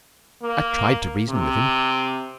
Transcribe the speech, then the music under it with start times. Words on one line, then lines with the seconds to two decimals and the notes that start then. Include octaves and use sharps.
I tried to reason with him.
0.43 A#3
1.29 C3